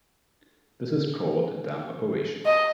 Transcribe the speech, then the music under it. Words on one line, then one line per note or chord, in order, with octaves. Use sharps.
This is called a dump operation.
D#5